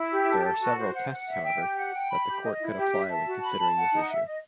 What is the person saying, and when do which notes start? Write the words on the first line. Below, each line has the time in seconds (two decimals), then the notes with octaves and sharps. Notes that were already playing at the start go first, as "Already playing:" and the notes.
There are several tests, however, that the court could apply when considering this issue.
Already playing: E4
0.10 G4
0.27 A4
0.44 A4
0.61 F#4
0.77 C5
0.94 F#5
1.10 F#5
1.27 E5
1.43 G5
1.60 G4
1.76 F#5
1.93 G5
2.09 B5
2.26 G4
2.43 D#5
2.60 E4
2.76 G4
2.92 E5
3.09 A5
3.26 F#4
3.42 B5
3.59 A5
3.76 F#5
3.92 D#4
4.08 E5
4.25 D#5